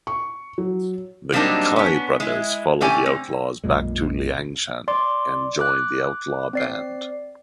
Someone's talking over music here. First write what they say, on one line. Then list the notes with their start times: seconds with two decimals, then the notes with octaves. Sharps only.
The Cai brothers follow the outlaws back to Liangshan and join the outlaw band.
0.07 C#6
0.58 F#3
1.33 F#3 G3 A#3 C4 D4 D#4
1.76 B3 C#4
2.20 G#3 E4
2.81 D3 A3 C#4 G4 D5 G#5
3.06 C4
3.64 B1 F#2 A#2 G#3
4.88 D5 C6 D6
5.60 D6 F#6
6.53 C4 D5 C7